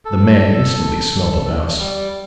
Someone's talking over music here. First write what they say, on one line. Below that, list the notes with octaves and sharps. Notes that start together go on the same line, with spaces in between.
The man instantly smelled a mouse.
A4
G3